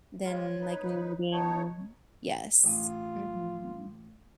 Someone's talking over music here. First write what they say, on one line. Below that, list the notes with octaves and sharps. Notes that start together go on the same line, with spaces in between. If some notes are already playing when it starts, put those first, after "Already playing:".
than, like, me being Yes. Mhm.
G3 G#3 F4 C#5
D#4 B4
B3 D#4 C#5 A5
A1 F4 G#5